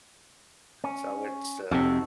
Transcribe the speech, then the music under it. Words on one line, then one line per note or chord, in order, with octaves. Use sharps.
So it's uh,
C#4
F2 C3 D#4 F#4 A4